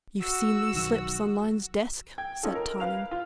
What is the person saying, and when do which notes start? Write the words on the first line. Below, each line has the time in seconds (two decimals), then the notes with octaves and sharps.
"You've seen these slips on Lyne's desk?" said Tarling.
0.22 F#4 E6
0.73 B1 D#3 F#3
2.18 G5 G#6
2.43 C#4 D#4 F4 A4
2.55 A#4
2.80 B4 F5 F6 F7
3.11 F4